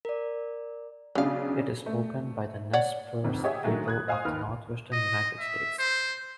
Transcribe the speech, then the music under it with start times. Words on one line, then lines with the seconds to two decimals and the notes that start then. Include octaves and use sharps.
It is spoken by the Nez Perce people of the Northwestern United States.
0.05 A#4 D5
1.15 B1 C#3 B3 D4 F5
1.86 A3
2.73 C#5 D5 F#5
3.24 G1 F2 G#2
3.44 G4 G#4 C#5 D#5 E5 F#5
3.64 A#2 D3 D#3 F#3 G#3 A3
3.86 D#6 F#6 G#6
4.07 C5 D#5 F5 G#5 C6 D#6
4.25 D#2 D#3 B4 F6
4.92 D#5
5.39 E5
5.79 C5